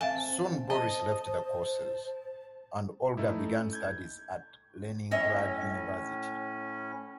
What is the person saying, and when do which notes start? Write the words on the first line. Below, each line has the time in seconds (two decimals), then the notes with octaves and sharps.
Soon Boris left the courses, and Olga began studies at the Leningrad University.
0.01 C4 E5 F5 G#5 A5
0.70 C5 D#5 A5
3.17 A3 C#4 D#4 E4
3.73 G6 G#6
5.11 A2 C#4 C#5 D#5 E5